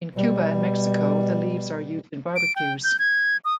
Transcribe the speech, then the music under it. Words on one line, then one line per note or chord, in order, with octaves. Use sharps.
In Cuba and Mexico, the leaves are used in barbecues.
B2 G3
D7
G5
G6
G#6
D#6